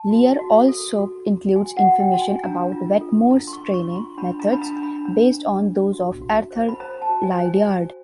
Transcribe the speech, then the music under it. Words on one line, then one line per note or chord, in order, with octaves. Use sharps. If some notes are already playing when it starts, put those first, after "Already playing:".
Lear also includes information about Wetmore's training methods, based on those of Arthur Lydiard.
Already playing: A5
F#4
F#4
A4
F#4
F#4
F#4 G#5
F#5
F#4
G5
F#4
G#5
D4 A#5
F4
A4
D4 A#5
C6
C#6
D4
C#6
F4
C6
D4 B5
A#5
D4
B5
A#5
D4
B5
D4 A#5
D4
D4
F#4
F#4
C5
B5
C5 A#5
A5
F#4
G#5
C5
G#5
F#4